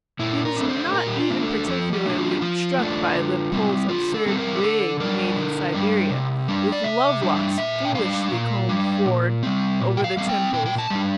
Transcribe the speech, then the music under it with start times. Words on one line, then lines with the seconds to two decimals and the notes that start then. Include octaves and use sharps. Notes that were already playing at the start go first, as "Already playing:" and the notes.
He was not even particularly struck by the Pole's absurd wig made in Siberia, with love-locks foolishly combed forward over the temples.
0.19 A#2 E4
0.45 A#4
0.56 A3 D4
0.69 C5
0.94 A#2 A#4
1.07 G4
1.19 F4
1.30 A3 D4
1.43 A4
1.67 F3 A4
1.93 G4
2.05 A3 D4
2.17 F4
2.31 G4
2.41 F3 F4
2.78 A3 D4
3.15 D3
3.52 G3 C4
3.89 D3 F4
4.14 A4
4.26 G3 C4 A4
4.38 A#4
4.55 G4
4.62 D3 A4
5.00 G3 D4 A#4
5.37 D3
5.74 G3 D4
6.11 C3
6.48 G3 D4
6.72 D5
6.84 C3 E5
7.22 G3 D4
7.58 A#2 E5
7.85 G5
7.95 G3 D4 F5
8.32 A#2
8.69 G3 D4
9.06 A#2
9.43 G3 C4
9.80 A#2
9.97 G5
10.04 F5
10.17 G3 C4 F5
10.29 G5
10.53 A#2 G5
10.66 G5
10.78 A5
10.90 G3 D4